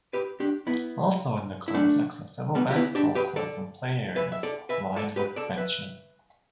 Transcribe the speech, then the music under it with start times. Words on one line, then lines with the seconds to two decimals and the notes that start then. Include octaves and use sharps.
Also in the complex are several basketball courts and play areas lined with benches.
0.13 G4 B4
0.40 D4 G4
0.67 B3 E4
1.68 E4
1.74 A3 D4
2.55 G3 B3
2.70 G4
2.76 B3 E4
2.95 D4 G4
3.15 G4 B4
3.36 A4 D5
4.16 B4 E5
4.32 E5
4.43 A4 D5
4.69 B4 E5
4.96 A4 D5
5.16 G4 B4
5.36 A4 D5
5.57 B4 E5